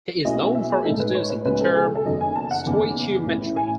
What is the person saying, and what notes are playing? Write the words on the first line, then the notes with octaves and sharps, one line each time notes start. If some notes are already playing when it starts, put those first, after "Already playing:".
He is known for introducing the term "stoichiometry".
B1 B2 A3 C#4 E4 D#5
E5
E5
G#4
A2 G#3 D#4 A4
B4
C#5
B4
C#2 B2 G#3 C#4 B4
A4
G#4
A4
A4
F#1 E2 D#3 F#3 D#5
G#5
A5
F#5
F#1 E2 D#3
A1 A2 E3
G#5